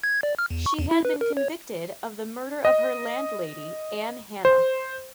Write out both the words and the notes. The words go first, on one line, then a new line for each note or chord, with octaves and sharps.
She had been convicted of the murder of her landlady Ann Hannah.
G#6
D5
F6
E2
C#6
E2
E4
B4
A#4
C#5
D#5
C5